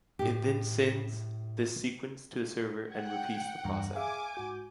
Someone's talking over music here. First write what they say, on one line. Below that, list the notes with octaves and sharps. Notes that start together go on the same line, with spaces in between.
It then sends this sequence to the server, and repeats the process.
A2 G4
F#5 G5 G#6
E2 G2 A#5
G#4 E5 F5 G#5 D6
G#2 F#4 G6